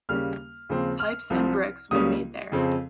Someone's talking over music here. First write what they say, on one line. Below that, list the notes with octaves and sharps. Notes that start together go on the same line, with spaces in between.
Pipes and brickes were made there.
D#2 C#3 G3 A#3 C#4 F6
D#2 C#3 F3 C4
F6
C2 C3 F3 C4
C#2 C#3 G3 A#3 C#4 D#6
F2 C#3 F3 C4